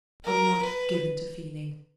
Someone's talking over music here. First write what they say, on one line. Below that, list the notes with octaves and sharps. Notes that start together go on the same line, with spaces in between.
I'm not given to feelings.
A#4
B4